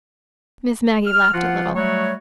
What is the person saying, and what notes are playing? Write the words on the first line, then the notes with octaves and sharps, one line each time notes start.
Miss Maggie laughed a little.
F6
F3 F4 F#5
F#3 G3 A3 F#4 C#5